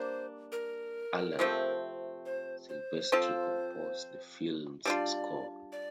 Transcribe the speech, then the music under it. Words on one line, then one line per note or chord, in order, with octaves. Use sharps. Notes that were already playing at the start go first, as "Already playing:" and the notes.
Alan Silvestri composed the film's score.
Already playing: G3 A#3 D4 C5
A#4
C3 F3 A3 C4
C5
C5
F3 C4 F4 A4
G3 D4 F4 D5
D5